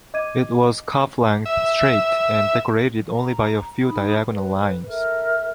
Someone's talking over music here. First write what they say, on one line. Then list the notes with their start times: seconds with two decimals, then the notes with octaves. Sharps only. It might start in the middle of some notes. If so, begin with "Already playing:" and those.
It was calf-length, straight and decorated only by a few diagonal lines.
0.14 D#5 D6 G#6 D#7
1.46 E5
3.11 A#5
3.83 D#4 B5 D#6
4.27 B4
4.86 A4 A#4 E5